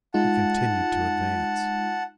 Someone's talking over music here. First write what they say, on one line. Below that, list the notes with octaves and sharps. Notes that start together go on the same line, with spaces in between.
He continued to advance.
G#3 D#4 F4 F#5 A5